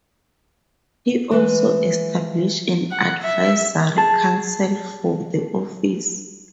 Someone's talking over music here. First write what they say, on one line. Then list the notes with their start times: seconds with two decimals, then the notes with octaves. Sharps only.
He also established an advisory council for the office.
1.31 E3 G#3 B4
2.91 F#5
3.22 E5
3.97 G#4 A5